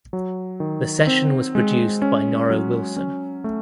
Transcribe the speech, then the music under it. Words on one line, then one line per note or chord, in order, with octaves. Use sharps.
The session was produced by Norro Wilson.
F#3
D#3
C4
G#3
C#4
F#3
C#4
A3